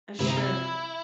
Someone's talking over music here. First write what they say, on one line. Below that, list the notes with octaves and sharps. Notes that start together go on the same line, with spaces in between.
That's true.
C3 E4
D#4
E4